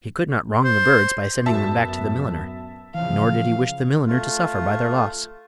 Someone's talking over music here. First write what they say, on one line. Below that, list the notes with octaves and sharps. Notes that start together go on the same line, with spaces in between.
He could not wrong the birds by sending them back to the milliner, nor did he wish the milliner to suffer by their loss.
C5
F#2 A2 B3 F#4 E5 A5
C#3 E3 F3 F5
A3 F4